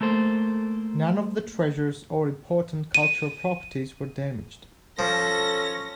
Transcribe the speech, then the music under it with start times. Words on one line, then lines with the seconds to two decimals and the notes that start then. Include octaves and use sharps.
None of the treasures or Important Cultural Properties were damaged.
0.01 A3 A#3 A4 C5
2.95 D#7
4.99 F3 C#4 A4 A#6